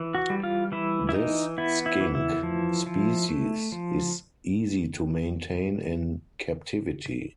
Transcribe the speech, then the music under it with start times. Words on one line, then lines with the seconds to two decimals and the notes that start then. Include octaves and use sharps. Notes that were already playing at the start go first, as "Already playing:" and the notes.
This skink species is easy to maintain in captivity.
Already playing: E3
0.15 F#4
0.30 G3
0.43 F4
0.72 E3 E4
1.09 E4
1.14 E3 D#4
1.58 B3 E4
1.86 E4
2.01 E3
2.15 E4
2.43 F3
2.86 F3
3.29 A3
3.72 F3